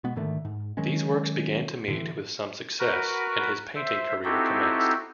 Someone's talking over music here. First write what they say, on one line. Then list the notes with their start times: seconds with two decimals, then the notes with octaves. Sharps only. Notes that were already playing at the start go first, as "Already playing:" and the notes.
These works began to meet with some success and his painting career commenced.
0.04 B2 G#3 B3
0.16 G#2 D3 D#3 A3
0.45 G#2
0.77 D#3 F#3 G#3 C#4
1.88 A2 D3 E3
2.79 F#4 A#4 B4
3.75 C5 E5
4.24 C4 D#4 E4 F#4 G4 A4